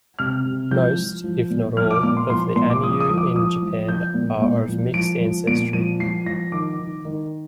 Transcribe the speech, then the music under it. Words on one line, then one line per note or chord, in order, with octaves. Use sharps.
Most, if not all, of the Ainu in Japan are of mixed ancestry.
C3 F6
C3
F3 G6
F3
F3
A#2
F3 F6
D6
A#2 D6
C6
F3 C6
A#2 C6
D6
F3 D#6
D#6
F3
D6
F3 D#6
F3
F3 G6
A#2
A#2
F3
F3 D7
F3
A#2 D7
F3 D#7
F3 C7
F3 A#6
D#3 D6
D#3
D#3